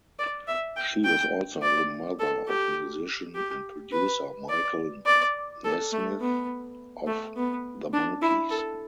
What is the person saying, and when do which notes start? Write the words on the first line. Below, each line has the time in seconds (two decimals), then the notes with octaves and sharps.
She was also the mother of musician and producer Michael Nesmith of The Monkees.
0.19 D5
0.48 E5
0.77 G5
1.05 G5
1.62 D5
2.19 A4
2.48 G4
3.35 G4
3.92 B4
4.49 D5
5.06 D5
5.64 A4
5.93 A3
6.21 B3
7.07 A3
7.36 B3
7.93 D4
8.22 E4
8.50 A4